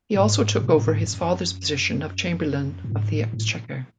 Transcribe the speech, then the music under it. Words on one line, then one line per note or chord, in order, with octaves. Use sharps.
He also took over his father's position of Chamberlain of the Exchequer.
G#2
B2
A2
G#2
F#2
A2
G#2
A2
A2